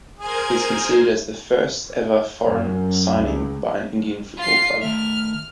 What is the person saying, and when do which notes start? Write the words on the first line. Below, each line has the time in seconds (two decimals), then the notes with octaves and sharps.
He is considered as the first ever foreign signing by an Indian football club.
0.19 G#4 A#4 C5 G#5
2.45 F#2
3.17 C#2
4.37 F4 C7
4.82 D#3 A3 E5 F6